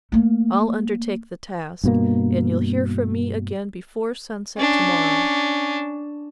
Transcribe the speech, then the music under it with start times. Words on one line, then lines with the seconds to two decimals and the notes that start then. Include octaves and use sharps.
I'll undertake the task, and you'll hear from me again before sunset to-morrow.
0.12 A3 A#3
1.84 G2 B2 A#3
4.58 C#4 D4